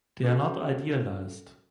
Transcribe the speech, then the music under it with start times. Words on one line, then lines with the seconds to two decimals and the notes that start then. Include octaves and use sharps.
They are not idealized.
0.23 C#4 F#4 A4